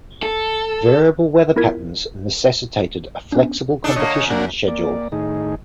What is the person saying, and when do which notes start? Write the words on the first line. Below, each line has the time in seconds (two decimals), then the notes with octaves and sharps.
Variable weather patterns necessitated a flexible competition schedule.
0.23 A4
1.56 B3 E4 F4 A#4 G#6 B6
3.32 B3 C#4 D4
3.84 D4 D#4 A4
3.96 D3 A#3 C#5 D#5
4.14 F#2
4.30 A#3 D4 F#4
4.68 A#3 D5
5.12 A2 D#3 D#4 G#4